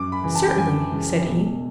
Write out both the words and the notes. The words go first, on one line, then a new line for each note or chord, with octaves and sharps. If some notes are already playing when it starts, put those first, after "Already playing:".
"Certainly," said he.
Already playing: F#2 D6
B5
C#3 E3
A5
G5
F#2 G#5
C#3 E3
E1